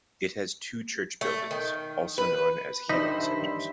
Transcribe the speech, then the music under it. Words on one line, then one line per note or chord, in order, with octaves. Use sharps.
It has two church buildings, also known as healing centres.
A3
D#3
B4
G2 D#3 D#4 C5 E5 B5 B6